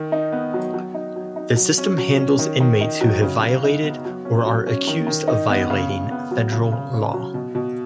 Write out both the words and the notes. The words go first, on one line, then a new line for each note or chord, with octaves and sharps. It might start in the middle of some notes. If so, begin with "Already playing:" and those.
The system handles inmates who have violated, or are accused of violating, federal law.
Already playing: D#3
D#4
B3
F#3
F#3
D#4
F#3
D#4
F#3
C#4
F#3
C#4
D#3
D#3
D#4
F#3
C#3
C#3
D#4
B3
F#3
C#4
F#3
C#4
D#3
D#3
D#4
B3
C#3
C#3
B3
F#3
C#3
C#3
C#4
F#3
B2
B2